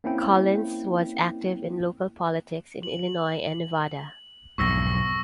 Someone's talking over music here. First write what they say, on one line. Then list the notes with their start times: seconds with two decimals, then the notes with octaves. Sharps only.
Collins was active in local politics in Illinois and Nevada.
0.04 A#3 C4 C#4 E4 G5
2.83 F#7
4.58 B1 F2 G#2 C#6 E6 A#6